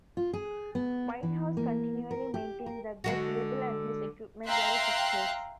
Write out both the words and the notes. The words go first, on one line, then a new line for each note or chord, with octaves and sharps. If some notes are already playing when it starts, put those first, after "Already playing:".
Whitehouse continually maintained that the cable and his equipment were a success.
F4
G#4
B3
E3
A#3
A#4
G4
A#4
D3 G#3 F#4
E5 F5 G5 A#5 C6 F#6